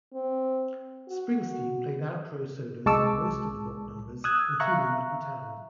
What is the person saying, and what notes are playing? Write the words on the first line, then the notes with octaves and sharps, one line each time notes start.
Springsteen played outro solos on most of the rock numbers, including "Lucky Town".
C4
F#4
C2 G#3 A5 C#6 D6 E6
D#6 E6 F#6 G#6
E5 F5 A#5 C#6 F#6